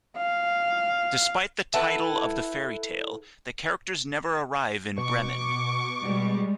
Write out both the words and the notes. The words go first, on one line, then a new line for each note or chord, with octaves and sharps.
Despite the title of the fairy tale, the characters never arrive in Bremen.
F5
E4 A4 B4 F#5
B2 C#6 D6
G3 G#3